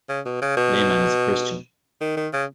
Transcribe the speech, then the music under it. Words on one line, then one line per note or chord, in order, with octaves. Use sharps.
Lehman is a Christian.
C#3
B2
C#3
B2
D#3
D#3
C#3